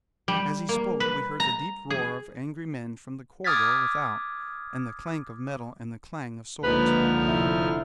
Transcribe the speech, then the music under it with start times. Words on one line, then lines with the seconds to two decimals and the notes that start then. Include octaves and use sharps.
As he spoke we heard the deep roar of angry men from the corridor without, and the clank of metal and the clang of swords.
0.28 G3
0.69 A#3
1.00 B4
1.40 A#5
1.90 G#4
3.44 D6 D#6 F6 G#6 A6 B6
6.63 C#2 D3 F3 A#3 D#4 B4 F6
7.28 F1 E4